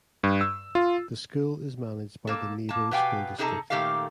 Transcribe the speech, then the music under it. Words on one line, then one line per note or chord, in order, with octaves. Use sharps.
The school is managed by the Nebo School District.
G2
E6
F4
A#3 A4
A#3 A5
B2 B3 G4 F5 G5 G#5
C3 D#4 G#4 A4 A5 A#5
A#2 D#3 A3 G4 A4 F5